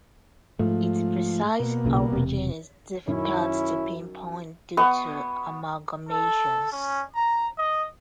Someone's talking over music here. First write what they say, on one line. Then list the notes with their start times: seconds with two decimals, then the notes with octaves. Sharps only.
Its precise origin is difficult to pinpoint due to amalgamations.
0.59 G#2 F3 A3
1.60 B2 A#3
1.85 B1 A#2 C#3
2.13 E1 C3
3.08 F#2 D#3 C#4 E4
4.77 B3 C#6 D#6
6.08 A4
6.72 C#4
7.16 A#5
7.58 D#5